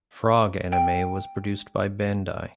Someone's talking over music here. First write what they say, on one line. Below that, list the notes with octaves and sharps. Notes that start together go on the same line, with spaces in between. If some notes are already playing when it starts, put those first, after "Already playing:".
Frog anime was produced by Bandai.
G5